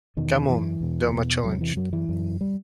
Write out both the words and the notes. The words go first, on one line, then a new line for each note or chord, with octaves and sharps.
Come on, Del Mar challenged.
E2 B2 D#3
F#2 E3
E2 B2
E2 B2
E2 C3 F#3
E3
F#2 F#3
E3
F#2
G3